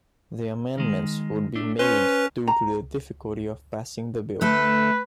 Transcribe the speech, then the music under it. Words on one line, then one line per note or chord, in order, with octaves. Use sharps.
The amendments would be made due to the difficulty of passing the bill.
D#3 G#3
A3 D4
C#4 B4 C5
A#5
D2 A3 A4 B4